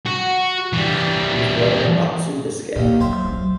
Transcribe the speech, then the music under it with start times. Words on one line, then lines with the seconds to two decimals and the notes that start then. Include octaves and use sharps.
He was born in Arratzu, Biscay.
0.06 F#4
0.73 E3 G3
2.76 D#2 A#2 D#3
3.00 F#3 C5 E5 F5
3.24 F3 F#3